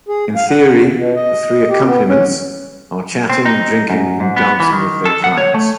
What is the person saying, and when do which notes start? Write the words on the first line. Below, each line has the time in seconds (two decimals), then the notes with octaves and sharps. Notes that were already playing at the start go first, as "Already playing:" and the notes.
In theory, the "three accompaniments" are chatting, drinking and dancing with their clients.
0.08 G#4
0.36 F5
0.49 F#5
0.71 E2
0.97 B2
1.16 D#5
1.69 G4
1.86 B3
2.09 C#4
3.30 C4
3.46 D#4
3.90 F#2
4.20 G#2
4.36 B3
4.60 E3
4.72 D#3
5.05 A4
5.24 F#5
5.38 C#5
5.54 A3